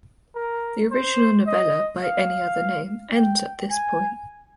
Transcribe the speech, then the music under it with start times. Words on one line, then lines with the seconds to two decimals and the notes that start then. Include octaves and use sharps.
The original novella "By Any Other Name" ends at this point.
0.35 A#4
0.92 C5
1.47 D#5
2.03 F5
3.15 G5
3.71 G#5